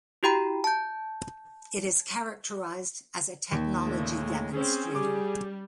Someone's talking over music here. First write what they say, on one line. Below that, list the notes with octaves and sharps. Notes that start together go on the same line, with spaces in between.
It is characterized as a technology demonstrator.
E4 F#4 G4 G5 A#5 B5
A5 G6
D#2
A#2 C#3 G#3 A3
C4 C#4 G#4
G3 D6